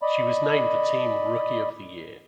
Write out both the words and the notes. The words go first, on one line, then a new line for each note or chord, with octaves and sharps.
She was named the team Rookie of the Year.
D5 D#5 B5